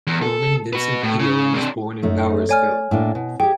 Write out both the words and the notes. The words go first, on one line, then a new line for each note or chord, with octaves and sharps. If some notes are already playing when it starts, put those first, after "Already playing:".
Norman Vincent Peale was born in Bowersville.
E2
A4
F#4 B4
A2
C#3
C3 D4
F#2 A3 D#4
C#5 D5 G#5 F6
A2 A#3 D4
B2
G4 G#4 G5